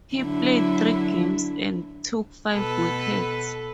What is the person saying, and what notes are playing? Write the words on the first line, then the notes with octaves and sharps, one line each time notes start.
He played three games, and took five wickets.
D3 F#3 E4
B2 A4 B4